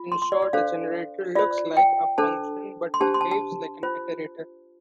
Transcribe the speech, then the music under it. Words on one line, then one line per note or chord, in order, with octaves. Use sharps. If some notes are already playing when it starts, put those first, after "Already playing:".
In short, a generator "looks like" a function but "behaves like" an iterator.
Already playing: F4
C6
C6
D5
D5
D4 A4 C5 F5
F4 C5 D5
G5
D4 A4 C5 A5
C6
D4 G4 C5 A5
C6
A5
A5
F4 C5